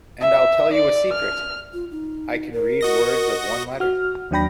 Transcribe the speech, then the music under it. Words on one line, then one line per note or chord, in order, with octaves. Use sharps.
And I’ll tell you a secret—I can read words of one letter!
E5
D5
F6
F4
D#4
A#4
F#4 D#5 A#6
F#4 F6
D#2 F#3 D4 G5 B5 A#6